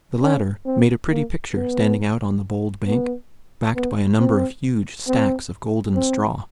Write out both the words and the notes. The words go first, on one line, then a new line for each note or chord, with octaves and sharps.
The latter made a pretty picture standing out on the bold bank, backed by a number of huge stacks of golden straw.
C#4
C4
A#3
B3
B3
B3
C4
C4
C4